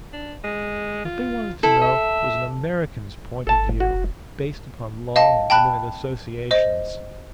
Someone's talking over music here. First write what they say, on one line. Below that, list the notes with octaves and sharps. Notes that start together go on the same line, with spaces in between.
What they wanted to know was an American's point of view, based upon long and intimate associations.
D4
G#3
F4
E4 A4
E5
G1 A4 A5
F#4
F1
D#5 F5 A5
G5 A5 B5 F#6
C5 D#5